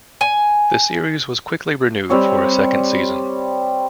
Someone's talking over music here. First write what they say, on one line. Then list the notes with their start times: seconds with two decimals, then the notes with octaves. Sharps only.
The series was quickly renewed for a second season.
0.21 G#5
2.10 G3 C4 C#5